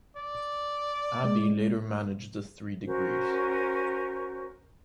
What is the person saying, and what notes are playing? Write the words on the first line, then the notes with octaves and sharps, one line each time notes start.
Abbey later managed The Three Degrees.
D5
G#3
C#4 F#4 A#4 C5